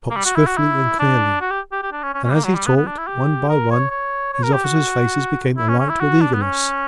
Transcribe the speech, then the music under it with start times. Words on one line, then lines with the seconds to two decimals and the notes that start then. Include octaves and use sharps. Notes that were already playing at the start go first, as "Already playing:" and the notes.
He talked swiftly and clearly, and as he talked one by one his officers' faces became alight with eagerness.
0.10 A#3
0.16 G3
0.25 F#4
0.35 E4
0.47 F#4
0.57 E4
0.99 D4
1.41 F#4
1.50 G4
1.72 G4
1.83 G4
1.92 D4
2.03 C#4
2.14 C#4
2.24 C#4
2.30 G3
2.34 A#3
2.44 F#3
2.55 G3
2.66 B3
2.76 B3
2.86 D4
2.98 E4
3.07 G4
3.49 A#4
3.71 C#5
3.90 C#5
4.33 C#5
4.43 A#4
4.53 G4
4.64 F#4
5.57 E4
5.68 C#4
5.79 C#4
5.89 E4
6.00 F#4
6.21 D4
6.33 B3
6.42 C#4